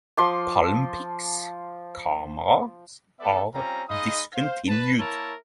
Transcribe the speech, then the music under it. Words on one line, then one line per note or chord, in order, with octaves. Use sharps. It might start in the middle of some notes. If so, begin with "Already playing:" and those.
PalmPix cameras are discontinued.
F3 C6 D6
G3 B3 A4 D5 E5
G3 C4 C#4 F4 A#5
G#3 D#4 D#5 F5 B5 D#6
C5 F5
B4 A5
A#3 E4 A#4 C#5 E5 A5